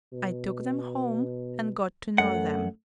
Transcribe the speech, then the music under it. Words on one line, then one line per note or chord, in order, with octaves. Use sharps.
I took them home and got to know them.
B2
F#2 A3 F#5